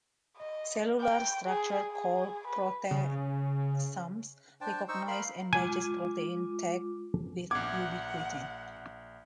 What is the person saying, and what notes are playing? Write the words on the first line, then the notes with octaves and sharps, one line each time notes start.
Cellular structures called proteasomes recognize and digest proteins tagged with ubiquitin.
D#5
G5
G#4
G#4
B4
C#3
D4 C5 G5 A5
D#4 C5 C#6 E6
A#4 F5 B5 C6
G#3 F4 G#5 D6
A#1 F#5 D6 G#6